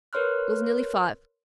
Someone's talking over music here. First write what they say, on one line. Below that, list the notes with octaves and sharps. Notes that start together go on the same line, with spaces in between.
It was nearly five.
A#4 B4 C#5 C6 F6 F#6